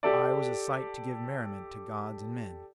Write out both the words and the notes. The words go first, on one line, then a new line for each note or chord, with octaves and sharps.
I was a sight to give merriment to gods and men.
G4 A4 D5